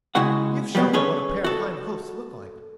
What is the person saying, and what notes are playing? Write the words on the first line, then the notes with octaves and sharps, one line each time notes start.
"You've shown them what a pair of hind hoofs look like."
C#3 G#3 E4 F#4 F#5
F2 B2 D#3 F#3 G3
C#4 G#4 A4 B4 C#5
F#4 A4